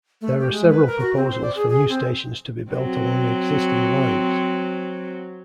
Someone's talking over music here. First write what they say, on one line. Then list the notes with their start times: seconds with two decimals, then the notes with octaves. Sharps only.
There are several proposals for new stations to be built along existing lines.
0.21 A3
0.40 G4
0.51 G#3
0.69 B4
0.87 A#4
1.00 F#4
1.16 C4
1.30 C5
1.42 D5
1.56 G#4
1.69 G#4
1.89 C4
2.71 F#3 C4